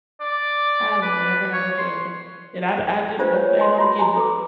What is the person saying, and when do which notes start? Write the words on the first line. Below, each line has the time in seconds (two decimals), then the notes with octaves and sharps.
I've never had a cavity, and I d I just don't plan on getting it.
0.21 D5
1.02 B4
1.53 C#5
1.78 C6
3.18 D4 F4 G4 B4 C5 F5
3.32 B4 C#5
3.56 A#4 D#5 G#5 C6
3.78 E4 F#4 G4 B5 C6
3.99 G#5 A#5
4.16 A4 B4 D6